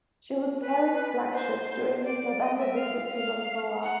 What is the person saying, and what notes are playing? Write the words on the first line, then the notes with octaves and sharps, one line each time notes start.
She was Perry's flagship during his November visit to Whampoa.
B4
C5
D5
D#5
E5
F5
F5
F#5